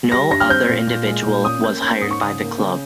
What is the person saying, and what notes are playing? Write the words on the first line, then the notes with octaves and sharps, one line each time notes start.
No other individual was hired by the club.
G3 A#6
G2 A#6
F6
C4 G6
A#2
A#2
G#3
A#2
C#4 D#6
A#3 G6
C#4 G6
G#2 D#6
C#6
C#3 D#6
A#3
C#3